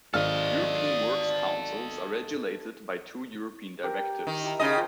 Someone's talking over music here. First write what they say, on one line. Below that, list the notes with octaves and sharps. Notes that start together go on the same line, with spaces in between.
European Works Councils are regulated by two European directives.
G#1 A4 D5 D#5 F6
G4 A#4
D#3
E4 G4 A#5
C#3 G#3 D#4 D#5 F#5 D#6
F3 G5